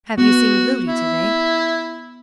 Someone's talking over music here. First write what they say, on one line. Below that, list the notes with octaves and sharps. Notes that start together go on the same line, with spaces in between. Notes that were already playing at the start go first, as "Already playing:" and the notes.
"Have you seen Gloody to-day?"
B3 F#4
E4